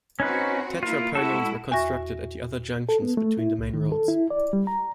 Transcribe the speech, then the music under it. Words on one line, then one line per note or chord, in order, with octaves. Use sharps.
Tetrapylones were constructed at the other junctions between the main roads.
C4 C#4 D#4 F#4 B4
A#3 E4 F4
G#3 E4 F#4 A4
E2 F#4 E5 C#6 A#6
A4
B3
A3
E4
C2
D#3
A4
E4
D5
G3
A#5